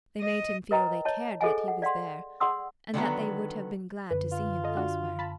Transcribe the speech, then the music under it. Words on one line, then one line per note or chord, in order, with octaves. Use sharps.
They made him feel they cared that he was there, and that they would have been glad to see him elsewhere.
D#5
A#4 B4 D#5 G5 A#5
C#5 D#5 A5
G#4 A4 C5 D#5 F#5 G#5
F#5
D5 F5 F#5 C6
G#4 D5 F#5 C6 D#6 E6
D3 D#3 F#3 B3
F#2 D3 B4
F4
A4 D#5
D4 F#4
A5 B5